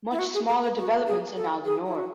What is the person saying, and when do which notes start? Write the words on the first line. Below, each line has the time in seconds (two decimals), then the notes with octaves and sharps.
Much smaller developments are now the norm.
0.11 E4
0.19 F#4
0.34 G#4
0.48 A4
0.63 B4
0.77 F#4
1.07 G#4
1.36 A4
1.65 G#4
1.85 E4
1.95 F#4